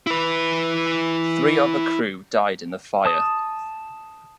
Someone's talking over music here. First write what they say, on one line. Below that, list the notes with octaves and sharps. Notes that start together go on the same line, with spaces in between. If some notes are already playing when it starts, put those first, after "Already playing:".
Three of her crew died in the fire.
E4 B4
A5 D#6